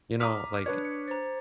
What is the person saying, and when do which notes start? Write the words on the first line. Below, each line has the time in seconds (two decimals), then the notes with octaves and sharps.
you know, like,
0.20 A#5 D6 D#6 F6 B6
0.66 D4 B4 C#5 G#6
0.85 C#7
1.08 C5 A#5 A6